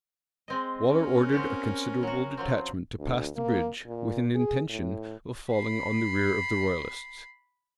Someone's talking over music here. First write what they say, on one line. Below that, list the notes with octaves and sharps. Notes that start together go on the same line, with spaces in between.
Waller ordered a considerable detachment to pass the bridge, with an intention of falling on the rear of the royalists.
G#3 C4 D#5
C#4 A#4
C4 F#4 G4
F#3 F#4
F3 F#3 C4
D2
A#3
A#2
G#4
A2
B5 C7